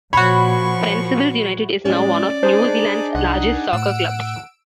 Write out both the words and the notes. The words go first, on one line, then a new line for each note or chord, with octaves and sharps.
Fencibles United is now one of New Zealand's largest soccer clubs.
A#2 F3 F#4 C#5 B5 C#6
A2 G#3 C#4 D5
D4 D#4 G#4 C5
C2 F#5
A2 E6 D7